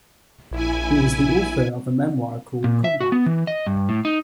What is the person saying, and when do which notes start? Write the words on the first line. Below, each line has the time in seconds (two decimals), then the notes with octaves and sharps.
He was the author of a memoir called "Combat".
0.51 A#1 E4 G#5
2.64 A#2
2.84 E5
3.01 F#4
3.12 B3
3.26 E3
3.47 D#5
3.66 G2
3.89 A2
4.05 D#4